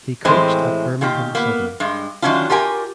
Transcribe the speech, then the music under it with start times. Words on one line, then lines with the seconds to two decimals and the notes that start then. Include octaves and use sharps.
He coached at Birmingham–Southern.
0.25 A2 E3 G#3 C4 C5 G5
1.01 A#2 D#3 F4 G4
1.35 A#3 B3
1.80 G2 G#3
2.22 D#3 E3 F#3 C#4 D4 F4
2.50 F4 G4 A#4 G5 G#5